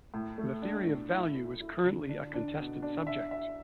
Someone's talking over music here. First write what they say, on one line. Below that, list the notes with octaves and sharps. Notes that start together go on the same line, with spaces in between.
The theory of value is currently a contested subject.
A2
A3
D4
A2
E4
E4
E4
D3
D4
D4
B2
D4
E5
E5